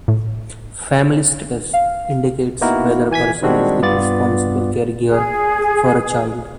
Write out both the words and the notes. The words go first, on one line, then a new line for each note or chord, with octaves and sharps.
"Family status" indicates whether a person is the responsible caregiver for a child.
A2
F5
A#3 B3 D#4 E4 F#4 A#4
E3 G#5 G#6 B6
D#3 G3 G#3 C4 D4 F#4
G2 B3 F4 D5 A6
G#4